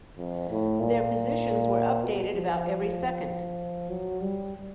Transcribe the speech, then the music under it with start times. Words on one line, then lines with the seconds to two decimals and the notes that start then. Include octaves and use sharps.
Their positions were updated about every second.
0.18 F2
0.50 A2
0.80 A#2
2.03 B2
2.35 F3
2.66 F3
3.90 F#3
4.21 G3